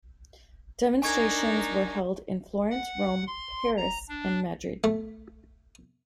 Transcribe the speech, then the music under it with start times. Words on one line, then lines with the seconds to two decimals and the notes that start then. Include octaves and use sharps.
Demonstrations were held in Florence, Rome, Paris and Madrid.
1.02 D4 D#4 A#4 G#5 C#6 G#6
2.71 F#5
3.27 C6
3.77 A#5
4.09 D4
4.84 A3